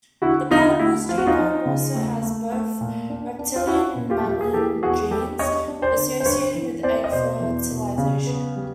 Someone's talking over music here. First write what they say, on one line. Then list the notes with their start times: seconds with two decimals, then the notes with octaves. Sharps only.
The platypus genome also has both reptilian and mammalian genes associated with egg fertilisation.
0.22 D3 E4 F#4
0.51 D3 D#4 F4
0.79 A3 E4
1.09 F3 F4
1.18 F#4
1.27 D#4 F4
1.38 F3
1.66 C#3
1.95 A3
2.23 A3
2.52 A3
2.81 A#2
3.10 D4
3.39 D4
3.56 F4
3.67 C#4 E4 F#4
3.96 A#2
4.10 F4 G4
4.25 G3 G4
4.41 G#4
4.53 E3 G4 A4
4.82 E2 F#4 G#4
5.11 G3 G4 A4
5.39 D4 C#5 D#5
5.68 D4
5.82 C5 D5
5.97 D3
6.20 C5
6.25 G2 B4 C#5
6.55 E3
6.83 C4 C5 D5
7.04 D#5
7.12 B2 C5 D5
7.40 E2
7.69 B2
7.98 C#3
8.27 B3
8.56 G3